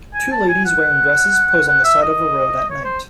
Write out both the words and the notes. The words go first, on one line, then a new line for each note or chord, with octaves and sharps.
Two ladies wearing dresses pose on the side of the road at night.
G#5
A5
G#5
F#5
F#5
E5
D#5
C#5
C5